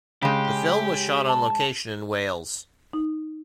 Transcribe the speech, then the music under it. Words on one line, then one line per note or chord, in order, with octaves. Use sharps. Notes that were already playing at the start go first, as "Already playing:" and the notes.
The film was shot on location in Wales.
C#3 G#3 G4
A5
D#4